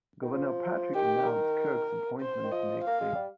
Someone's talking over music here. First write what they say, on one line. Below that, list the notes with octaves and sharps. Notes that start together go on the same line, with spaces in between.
Governor Patrick announced Kirk's appointment the next day.
D#3
F3
D#3 G4
A#4
C5
D#3
F3 D#5
A#3 F5
G#3
G3